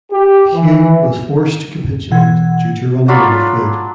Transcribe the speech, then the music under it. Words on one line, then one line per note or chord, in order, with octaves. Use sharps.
Hugh was forced to capitulate due to running out of food.
G4
E3
B2 E3 F#5 G#6
F#3 D4 F4 B5